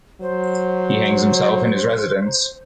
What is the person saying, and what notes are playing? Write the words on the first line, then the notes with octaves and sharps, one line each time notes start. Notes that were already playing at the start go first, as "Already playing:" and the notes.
He hangs himself in his residence.
F#3 C5